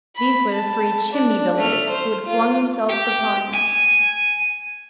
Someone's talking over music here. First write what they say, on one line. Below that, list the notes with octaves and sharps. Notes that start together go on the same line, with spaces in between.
These were the three "chimney-builders," who had flung themselves upon him.
B5
A5
D4
A3 F6
C5
F4
G4
G#5